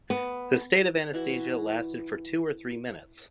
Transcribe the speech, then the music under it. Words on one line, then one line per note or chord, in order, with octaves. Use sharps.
The state of anesthesia lasted for two or three minutes.
B3
E3 E4 F#4